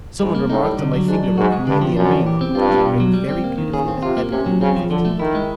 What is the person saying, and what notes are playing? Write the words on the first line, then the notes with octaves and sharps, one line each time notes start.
Someone remarked on my finger a cornelian ring on which was engraved very beautifully the head of Louis XV.
G#2 G3
A#3
A2 D#4
G3
D3
F#3
G#2 D4
F#3
G#2 F#4
G#3
G2 D3
F3
F#2 D4
E3
G4
C4
G2 F4
G3
B2
F#3
G3
C4
A#3
D#3
C#3 G#4
C4
C3 F4
A#3
C3 C#4
F#3
C#3 C4
F3
D3 F3
A3
D#3 E4
G#3